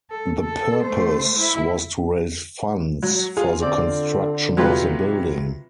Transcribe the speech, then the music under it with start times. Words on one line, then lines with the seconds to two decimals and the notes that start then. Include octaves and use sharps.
The purpose was to raise funds for the construction of the building.
0.11 A4
0.41 A4
0.83 A3 C5
1.37 E4
3.03 F#3
3.37 F4 G#4
3.62 D3 C4 D5
4.57 C3 F#3 F4 G4 B4 C6